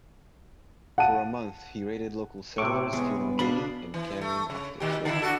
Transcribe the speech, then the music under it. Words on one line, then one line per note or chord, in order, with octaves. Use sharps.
For a month, he raided local settlers, killing many and carrying off their slaves.
F#5 A5 D#7
A2 C3 C#6 D6
G#3 B3
B2 D4 F5 F#5 B5
E3
A3
C#3
A#2 D#3 G4
D3 E4
D4 F#4 A4